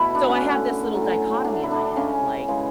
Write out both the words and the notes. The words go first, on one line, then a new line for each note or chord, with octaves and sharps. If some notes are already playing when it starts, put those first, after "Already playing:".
So, I have this little dichotomy in my head like,
Already playing: B2 A3 E4 F#4 B4
D4
C#4
D3 A3
A2 F#3 A3
D3 A3 D4
E4
D4
C#3 G#3 C#4
C#3 E3 G#3